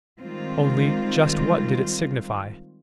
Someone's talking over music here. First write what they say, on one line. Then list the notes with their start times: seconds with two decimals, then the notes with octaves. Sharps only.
Only--just what did it signify?
0.20 D#3 G3 G#3 C4 F4